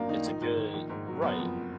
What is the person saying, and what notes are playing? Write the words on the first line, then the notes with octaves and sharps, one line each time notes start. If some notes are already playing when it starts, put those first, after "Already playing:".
it's a good right.
Already playing: G#1 F#2 A#3 D4
D#3 D#4
A#1
G#2
D#3
A#1
G#2
F#3
F#1 B3
F2
F3